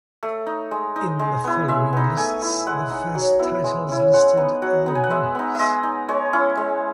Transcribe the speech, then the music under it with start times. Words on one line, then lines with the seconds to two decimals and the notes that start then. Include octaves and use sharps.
In the following lists, the first titles listed are winners.
0.23 A3
0.47 D#4
0.71 G#3
0.96 D#4
1.19 G#3
1.44 B3 E4
1.68 G#3 E5
1.93 B3 D#4
2.17 A3 G#5
2.42 E4
2.67 G#3 F#5
2.90 D#4 F#5
3.15 F#3
3.39 B3 E4
3.64 G#3
3.89 C#4 E4
4.14 G#3 F#5
4.37 B3 D#4
4.62 F#3 F#5
4.86 B3 D#4
4.95 G#5
5.04 F#5
5.10 G#3 E5
5.35 B3 D#4
5.55 G#3 D#5 E5
5.83 D#4
6.09 G#3 C#5
6.33 C#4 E4
6.57 G#3